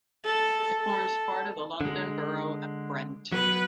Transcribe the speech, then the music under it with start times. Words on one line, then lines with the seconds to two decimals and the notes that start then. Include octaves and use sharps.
It forms part of the London Borough of Brent.
0.25 A4
0.81 A4
1.81 D3 G#3
3.32 F#3 B3 B4